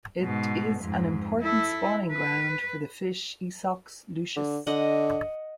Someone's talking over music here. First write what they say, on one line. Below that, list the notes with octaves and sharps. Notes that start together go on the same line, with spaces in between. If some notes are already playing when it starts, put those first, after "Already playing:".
It is an important spawning ground for the fish "Esox lucius".
G#2 B2
F2 G#2
E4 A4
B4
D3
D3 D#5 F#5